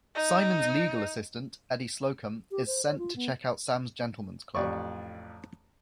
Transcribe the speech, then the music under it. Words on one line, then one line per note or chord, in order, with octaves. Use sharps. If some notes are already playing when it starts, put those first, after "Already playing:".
Simon's legal assistant, Eddie Slocum, is sent to checkout Sam's gentlemen's club.
D#4
G4
C5
C#5
F4
B3
A1 F2 D5 C#6